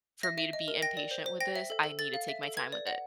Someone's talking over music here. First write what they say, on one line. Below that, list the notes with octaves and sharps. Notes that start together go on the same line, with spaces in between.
for me to be impatient with this. I need to take my time with it."
E5 A#6
E5
D#5
A#4
G5 A#6
D5
C5
C5
G5 A#6
E5
A4
A4
A4 A6
F5
E5
A4
B4 G#6
D5
F#5